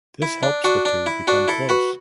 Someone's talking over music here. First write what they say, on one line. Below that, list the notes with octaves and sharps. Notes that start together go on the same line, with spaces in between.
This helps the two become close.
E4
D4
D4 F#4
D4
E4
D4 F#4
E4 A4
F#4 B4